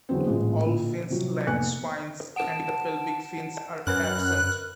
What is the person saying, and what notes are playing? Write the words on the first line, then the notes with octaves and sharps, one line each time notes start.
All fins lack spines, and the pelvic fins are absent.
E2 D3 F#3 B3 C4
A1 A#2 G#3
A#2 D3
C3 F3 F#3
F1 A#3 B3 G#5 F#6 C#7
F#5 A5 D7 E7
F#2 A#4 B4 B5 F6 F#6